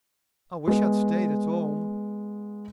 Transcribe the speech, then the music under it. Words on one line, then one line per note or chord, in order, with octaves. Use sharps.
"I wish I had stayed at home!"
G#3 B3